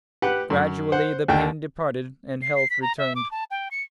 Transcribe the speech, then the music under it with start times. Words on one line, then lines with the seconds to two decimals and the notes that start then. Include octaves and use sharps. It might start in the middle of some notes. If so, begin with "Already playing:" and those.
Gradually the pain departed and health returned.
0.22 G4 B4 F#5
0.50 F#2
0.92 C5 F#5
1.28 D#2 D3 G5
2.42 C7
2.55 C7
2.70 B6
2.82 A#5
2.98 E5
3.15 D6
3.31 A5
3.51 G5
3.71 C#7